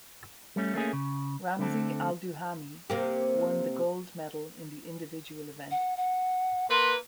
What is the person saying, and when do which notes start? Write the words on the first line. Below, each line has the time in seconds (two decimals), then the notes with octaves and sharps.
Ramzy Al Duhami won the gold medal in the individual event.
0.56 G3 A3 C#4
0.74 A3 A#3 C#4 G#4
0.93 C#3
1.59 D3 A3 C4 A4
2.90 C3 A#3 G4
5.71 F#5
5.97 F#5
6.70 A#3 B4 C6